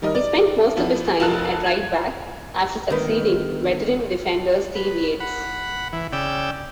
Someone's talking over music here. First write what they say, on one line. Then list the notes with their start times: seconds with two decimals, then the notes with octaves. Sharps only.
He spent most of his time at right-back, after succeeding veteran defender Steve Yates.
0.02 D#3 G3 A#4 D#5
0.15 D5
0.77 F3 B3 E4
1.20 F1 F4 A#4 A5 F#6
1.66 G#6
2.90 G1 D#3 B3
4.75 B4
5.20 F#5 B5
5.93 E3
6.13 C#3 D5 G5 E6